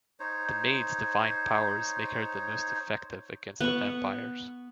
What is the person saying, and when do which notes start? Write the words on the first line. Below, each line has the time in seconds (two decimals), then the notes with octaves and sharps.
The Maid's divine powers make her the most effective against the vampires.
0.20 D#4 C5 C#5
3.61 B3 C#6